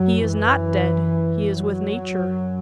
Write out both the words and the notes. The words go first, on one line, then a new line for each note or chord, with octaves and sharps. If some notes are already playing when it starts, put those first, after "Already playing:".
He is not dead He is with Nature.
Already playing: F#2 F#3
E3
F#3
F#2